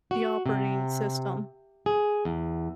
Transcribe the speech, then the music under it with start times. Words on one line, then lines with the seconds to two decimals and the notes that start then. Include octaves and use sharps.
the operating system.
0.11 F#4
0.46 C3
1.86 G#4
2.25 E2